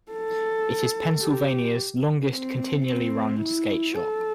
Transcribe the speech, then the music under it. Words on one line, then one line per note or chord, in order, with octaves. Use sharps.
It is Pennsylvania's longest continually-run skate shop.
A4
G4
C4
C4
E4
A4